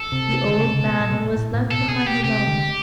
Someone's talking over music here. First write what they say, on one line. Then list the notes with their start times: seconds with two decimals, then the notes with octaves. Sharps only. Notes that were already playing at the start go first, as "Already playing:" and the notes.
The old man was left behind alone.
Already playing: A4
0.12 C3
0.48 D3
0.56 C#3
0.65 C3
0.74 C#3
0.82 B2
1.00 A#2
1.12 B2
1.18 A#2
1.36 A2
1.54 A2
1.70 B2 A4
1.88 B2 G#4
2.07 G4
2.24 C3 G4
2.47 D3